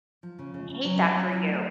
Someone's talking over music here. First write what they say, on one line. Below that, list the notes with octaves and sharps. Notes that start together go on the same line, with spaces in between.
I hate that for you.
F3
C#3
C#3
C#3
F#3
F#3
C#4
F#3
A3